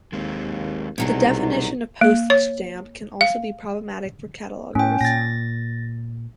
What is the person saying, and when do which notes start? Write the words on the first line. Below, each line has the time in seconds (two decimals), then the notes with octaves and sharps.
The definition of "postage stamp" can also be problematic for catalogers.
0.13 D#2 G#3 A#3 C4
0.98 C2 B2 F#3 B3 D#4 G#4
2.01 A#3
2.30 C#5
3.21 F5
4.75 A2 C#4 G5
5.01 A#2 A6 A#6